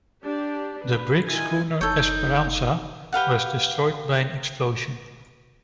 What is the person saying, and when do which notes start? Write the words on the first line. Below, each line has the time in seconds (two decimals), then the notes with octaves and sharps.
The brig-schooner "Esperanza" was destroyed by an explosion.
0.24 D4 G4
0.84 B4
1.27 D#3 E4 F4 G#5
1.81 F#1 D#4 A4 C#5 G6
3.13 G4 B4 F5 F#5